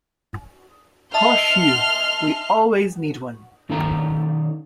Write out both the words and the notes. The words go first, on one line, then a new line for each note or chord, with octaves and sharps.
Hortefeux - We always need one!
D#5 E5 A5 C6 F6
B1 D#3 C#4 A4 F5 A#5